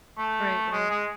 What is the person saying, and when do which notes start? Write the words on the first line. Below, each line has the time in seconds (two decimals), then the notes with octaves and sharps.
Right. Right.
0.18 A3
0.72 G#3
0.90 G#3